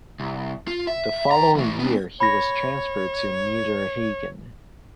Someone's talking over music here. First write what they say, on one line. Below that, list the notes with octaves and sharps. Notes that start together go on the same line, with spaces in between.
The following year he was transferred to Niederhagen.
C2
F4
E5
F2 A#5
E3 A3
B3 D4
C#5 B5 A#6